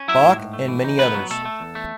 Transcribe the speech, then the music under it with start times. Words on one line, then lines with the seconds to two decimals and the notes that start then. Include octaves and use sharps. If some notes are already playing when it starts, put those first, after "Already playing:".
Bach, and many others.
Already playing: C#4
0.08 F#3 E4 E5
0.23 A2
0.38 G#2
0.53 A3
0.68 E3
0.84 D#4
0.99 C#2 B3 B4
1.15 F#3
1.30 B2 A3 A4
1.45 A3
1.60 E2
1.75 A3